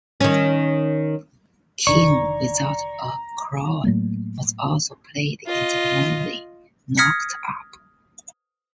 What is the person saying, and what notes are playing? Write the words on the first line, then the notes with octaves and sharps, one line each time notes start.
"King Without a Crown" was also played in the movie "Knocked Up".
D#3 C#4
F1 D3 D#3 D5 A#5 C#6
A2 F#3 A3 A#3
F4 D#5
D#6 F6 G#6 A#6 B6 C#7